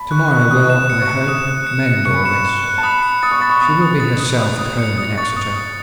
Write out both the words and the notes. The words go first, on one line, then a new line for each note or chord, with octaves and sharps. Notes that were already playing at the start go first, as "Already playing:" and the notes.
To-morrow will, I hope, mend all this; she will be herself at home in Exeter.
Already playing: A5 B5
C#6 F#6
C#6 F#6
D#6 F#6
E7
C#7
C#6
F#6
D#6 E7
F#6
C#7
C#7
C#6 C#7
B5
C#6 E7
E7
F#6
A5
B5 D#6
C#7
D#6 A6
C#6
B5 A6
C#6
D#6
D#6
A6
D#6
D#6
D#6
C#7
D#6
C#6 A6
D#6
D#6